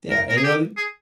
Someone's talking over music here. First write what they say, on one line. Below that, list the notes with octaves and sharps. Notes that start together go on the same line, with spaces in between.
Yeah, and, you know, the
A#4
A#4
G#4
G4
G#4